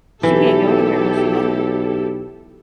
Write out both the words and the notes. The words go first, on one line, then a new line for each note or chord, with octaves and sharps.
she can't go anywhere unless you let her.
B1 E3 E4 G4 A4